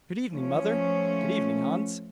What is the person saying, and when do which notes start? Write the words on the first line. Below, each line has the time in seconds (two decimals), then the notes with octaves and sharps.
'Good evening, mother.' 'Good evening, Hans.
0.31 F3 A3 C#4